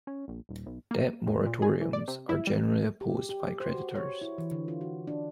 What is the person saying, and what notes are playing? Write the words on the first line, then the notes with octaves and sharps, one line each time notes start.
Debt moratoriums are generally opposed by creditors.
C#4
A#1
D#1
B1
A#3
E2
A#2
G#4
E3
D5
C3
E4
G3
G4
G4
C5
F#4
C#5
E4
E3
D3
F4
F#4
D4